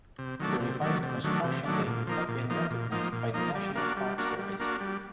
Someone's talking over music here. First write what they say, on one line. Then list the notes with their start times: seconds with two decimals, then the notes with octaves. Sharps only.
The revised construction date has been recognized by the National Park Service.
0.19 C3
0.40 D#3 F#3 A3 D4
0.60 C3
0.82 D#3 F#3 A3 D4
1.03 C3
1.24 D#3 F#3 A3 D4
1.44 C3
1.65 D#3 F#3 A3 D4
1.87 A#2
2.07 F3 A#3 D#4
2.29 A#2
2.50 F3 A#3 D#4
2.71 A#2
2.92 F3 A#3 D#4
3.13 A#2
3.34 F3 A#3 D#4
3.55 G3
3.76 A#3 D4 F#4
3.97 G3
4.18 A#3 D4 F#4
4.39 G3
4.60 A#3 D4 F#4
4.80 G3